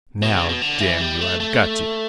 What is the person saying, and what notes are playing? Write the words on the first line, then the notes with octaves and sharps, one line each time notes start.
"Now, damn you, I've got you!"
B2
C#3
B2
D3
E3
G3
A3
A3